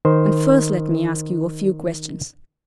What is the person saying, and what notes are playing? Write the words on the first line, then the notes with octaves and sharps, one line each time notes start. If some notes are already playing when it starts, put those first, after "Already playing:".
And first let me ask you a few questions.
D#3 C5